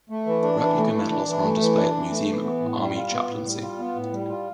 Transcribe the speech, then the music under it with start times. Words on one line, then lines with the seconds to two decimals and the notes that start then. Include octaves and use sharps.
Replica medals are on display at the Museum of Army Chaplaincy.
0.10 A3
0.26 E3
0.42 D4
0.60 E3
0.76 A3
0.93 E3
1.10 D4
1.27 E3
1.43 A3
1.60 E3
1.77 D4
1.94 E3
2.10 A3
2.28 E3
2.44 B3
2.61 A2
2.77 G3
2.95 F4
3.11 B3
3.28 A2
3.45 G3
3.61 F4
3.79 B3
3.95 A2
4.12 G3
4.29 F4